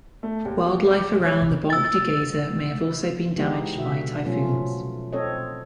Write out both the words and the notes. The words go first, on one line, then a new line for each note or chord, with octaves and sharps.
Wildlife around the Banc du Geyser may also have been damaged by typhoons.
A3
D#2
D6
C#5
E6 A6
E3 G#3 B3 D#4 G4
B2 D3 F#4 E5
B2 F3 F#3 A3 C#4 F4
C4 A4 C#5 D#5